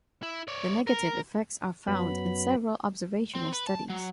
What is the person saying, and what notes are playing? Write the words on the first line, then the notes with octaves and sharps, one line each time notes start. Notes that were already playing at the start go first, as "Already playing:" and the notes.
The negative effects are found in several observational studies.
E4
C#5 D5
A#4
F#2 F#3 B3 B5
C4
B4
A5
F#3